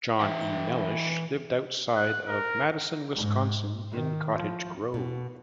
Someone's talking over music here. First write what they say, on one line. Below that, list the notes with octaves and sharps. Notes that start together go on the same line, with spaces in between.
John E. Mellish lived outside of Madison, Wisconsin in Cottage Grove.
E3 E5 G5
F#6
A#4
G#2
D#3
F3
B2